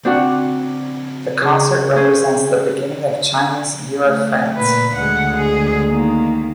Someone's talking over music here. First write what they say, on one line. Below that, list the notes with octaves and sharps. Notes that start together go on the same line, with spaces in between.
The concert represents the beginning of China's "Year of France".
C4 D4 F#4 F#5
C#3
C#4 G#4 C5 G#5
A3
A#2 B4
D2 G#3 F#5
G#4
D#3 A#3